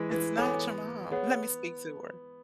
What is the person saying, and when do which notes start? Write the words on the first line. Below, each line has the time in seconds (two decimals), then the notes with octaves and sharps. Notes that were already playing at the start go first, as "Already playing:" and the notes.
It's not your mom. Let me speak to her.
Already playing: E3 G#3
0.11 E3
0.36 B3 A4 C#5 G#5 D6
1.11 B3 G#4 C#5 F#5